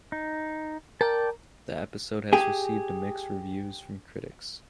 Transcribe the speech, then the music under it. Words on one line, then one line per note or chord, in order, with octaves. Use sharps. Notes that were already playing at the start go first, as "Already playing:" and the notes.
The episode has received mixed reviews from critics.
D#4
A#4 D5 G5 A5
G4 G#4